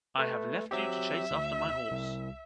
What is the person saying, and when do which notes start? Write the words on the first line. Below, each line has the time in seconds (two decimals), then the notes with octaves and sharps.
I have left you to chase after my horse.
0.18 A3 B4
0.71 F#3 C4 G4 E5
1.31 D2
1.91 C2